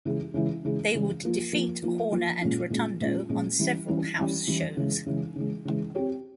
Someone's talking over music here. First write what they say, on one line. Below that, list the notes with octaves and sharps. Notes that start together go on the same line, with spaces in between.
They would defeat Horner and Rotundo on several house shows.
C#3 E3 G#3 E4 G#4
C#3 E3 G#3 E4 G#4
C#3 E3 G#3 E4 G#4
C#3 E3 G#3 E4 G#4
F3 A#3 F4
F3 A#3 F4
F3 A#3 F4
F3 A#3 F4
A#2 G#3 C#4 F4
A#2 G#3 C#4 F4
A#2 G#3 C#4 F4
A#2 G#3 C#4 F4
E3 G3 C#4 E4
E3 G3 C#4 E4
E3 G3 C#4 E4
E3 G3 C#4 E4
C#3 E3 G#3
C#3 E3 G#3
C#3 E3 G#3
C#3 E3 G#3
C4 G4 C#5